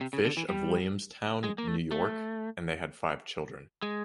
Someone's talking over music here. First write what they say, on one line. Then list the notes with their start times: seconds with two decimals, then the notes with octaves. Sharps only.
Fish of Williamstown, New York, and they had five children.
0.01 C3
0.13 C#3
0.25 D3
0.37 E3
0.49 G3
1.44 G#3
1.58 A#3
1.68 A3
1.92 A3
3.82 G#3